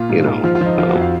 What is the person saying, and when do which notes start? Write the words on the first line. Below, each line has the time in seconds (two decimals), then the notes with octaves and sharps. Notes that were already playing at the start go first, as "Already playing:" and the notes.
you know, um,
Already playing: A#2 F4
0.09 G#2
0.27 G#2
0.43 F3 F4
0.55 F4
0.61 F3
0.66 D#4
0.78 F3 F4
0.89 F#4
0.95 F2
1.01 F5